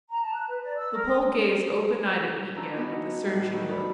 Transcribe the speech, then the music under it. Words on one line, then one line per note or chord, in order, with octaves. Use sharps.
The Pole gazed open-eyed at Mitya, with a searching look.
A#5
A5
F#6
B4
D5
E6
A#4
D#6
E3 C#4 D4 F4 A#5 E6
B3 D#4 F#4
A2 G3 F#4 F#6
D#3 E3 F#3 E4 F#4 G4
D5 B5